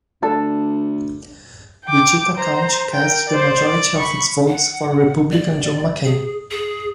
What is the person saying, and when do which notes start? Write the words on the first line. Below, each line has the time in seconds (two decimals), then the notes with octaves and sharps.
Wichita County cast the majority of its votes for Republican John McCain.
0.22 D2 D4 A4
1.85 G5 D6
2.35 C5 A#5
2.92 A#4 G5
3.29 C5 D5
3.61 D5
3.97 B5 C#6
4.48 F#5
5.32 D5
6.04 G#4
6.51 G#4